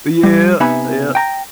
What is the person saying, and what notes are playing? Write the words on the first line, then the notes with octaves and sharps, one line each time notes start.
Oh yeah, yeah,
G3
C3 B3 D#4 E5 G#5 B5
G5 A#5